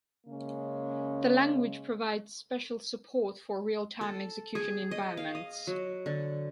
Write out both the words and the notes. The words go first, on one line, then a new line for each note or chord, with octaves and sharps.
The language provides special support for real-time execution environments.
C#3 G#3 A#3 C#4
A4
G#4
D#5
F5
D#5
F#3
D3